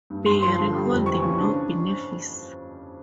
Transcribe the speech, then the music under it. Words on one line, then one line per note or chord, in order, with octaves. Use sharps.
Bury, holding no benefice.
G2
G2 C6
F3 C6
D3
G3
F2
E3 C#6
C#3
D4